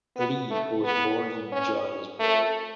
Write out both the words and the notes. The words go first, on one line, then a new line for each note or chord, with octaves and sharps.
Lee was born in Johannesburg.
B3
A3
B3
C#4
A3